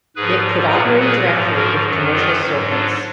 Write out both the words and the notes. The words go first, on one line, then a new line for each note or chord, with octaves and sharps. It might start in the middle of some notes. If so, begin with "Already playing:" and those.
It could operate directly with commercial circuits.
G#2 F3 G#4 B4
A#2 F#3 G#4 B4
G#4 B4
G#2 F3
F#4 A#4
F#2 D#3 F#3
F4 G#4
G#2 F#3
D4 F4